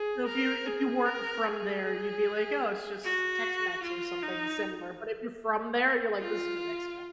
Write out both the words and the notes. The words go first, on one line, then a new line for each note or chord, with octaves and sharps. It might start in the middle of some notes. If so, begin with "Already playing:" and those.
So if you if you weren't from there, you'd be like, "Oh, it's just Tex-Mex or something similar," but if you're from there, you're like, "This is New Mexico."
Already playing: G#4
A#4
G#4
A#4
G#4
F#4
F4
D#4
F4